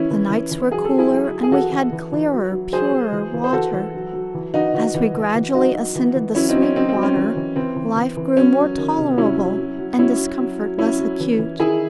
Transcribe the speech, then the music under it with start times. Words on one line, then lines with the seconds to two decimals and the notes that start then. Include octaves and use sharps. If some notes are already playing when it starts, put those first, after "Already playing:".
The nights were cooler, and we had clearer, purer water. As we gradually ascended the Sweetwater, life grew more tolerable and discomfort less acute.
Already playing: E3 C#4 E4
0.11 E3
0.30 E3
0.51 E3
0.71 F#3 G#4
0.85 A4
0.91 F#3
0.98 E4 G#4
1.11 F#3
1.31 F#3
1.43 G#4
1.51 E3 F#4 A4
1.72 E3
1.92 E3
2.13 E3
2.33 F#3
2.52 F#3
2.72 F#3 G#4 C5
2.92 F#3
3.12 E3
3.34 E3
3.44 C5
3.53 E3 F#4 A4
3.73 E3
3.94 F#3
4.13 F#3
4.34 E3
4.54 E3 D#4 F#4
4.74 E3 D#4 F#4
4.94 E3
5.14 E3
5.35 E3
5.54 F#3 D#4 F#4
5.75 F#3
5.95 E3
6.16 E3
6.35 F#3 C#4 E4
6.49 C4 D#4
6.56 F#3
6.62 C#4
6.76 F#3 C4 D#4
6.89 C4
6.95 F#3
7.03 C#4
7.16 E3
7.36 E3
7.56 E3 C4
7.76 E3
7.96 E3
8.17 E3
8.37 F#3 C#4
8.57 F#3
8.77 D#3
8.98 C3
9.17 F#3 C#4 E4
9.38 F#3
9.58 F#3
9.79 F#3
9.98 F#3 C#4 E4
10.18 F#3
10.39 F#3
10.58 F#3
10.79 F#3 C#4 E4
10.99 F#3
11.20 E3
11.39 E3
11.59 D#3 E4 G#4